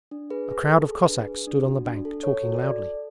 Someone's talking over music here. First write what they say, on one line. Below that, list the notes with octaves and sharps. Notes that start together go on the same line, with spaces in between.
A crowd of Cossacks stood on the bank talking loudly.
D4
G#4 B4
G#4
G#4 A4
G#4
D4 B4
G#4
D4
F#4
D4
A4
A4 C#5
F#4
A4 D5
A4